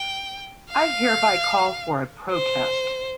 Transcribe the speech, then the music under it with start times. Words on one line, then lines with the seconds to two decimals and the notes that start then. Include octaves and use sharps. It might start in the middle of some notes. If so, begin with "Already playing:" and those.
I hereby call for a protest.
Already playing: G5
0.71 F5
2.31 C5